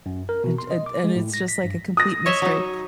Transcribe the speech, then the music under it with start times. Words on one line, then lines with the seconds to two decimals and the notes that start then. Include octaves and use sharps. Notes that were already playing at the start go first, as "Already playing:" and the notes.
and and and it's just, like, a complete mystery,
0.06 F#2
0.29 A#4
0.44 B2
0.58 C6
0.71 D#5
0.86 D6
1.04 G#3
1.16 A2
1.34 A#6
1.48 B6
1.64 G2
1.97 D#6 A#6
2.26 C#5 D#5 E5
2.42 F#3 D#4